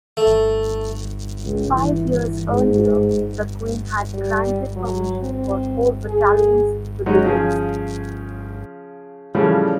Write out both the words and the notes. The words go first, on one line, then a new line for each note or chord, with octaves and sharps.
Five years earlier the Queen had granted permission for four battalions to be raised.
A3
C#2
E3
E3
G#2
G3
F#3
C4
G#4
F#3 G#3 C#4 D#4
C#3 F3 G#4
A2 C#3 E3 F3 G3